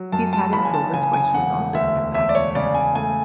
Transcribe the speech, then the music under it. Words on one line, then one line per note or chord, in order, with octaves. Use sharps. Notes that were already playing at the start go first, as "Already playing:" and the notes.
he's had his moments where he's also stepped back and said,
Already playing: F#3
F#2 A5
A5
F#1 B5
G#5
A5
C#3 G#5
G#5
E1 F#5
D2 E5
E1 E5
D5
C#5
C#3 D5
G#5
A3 G#5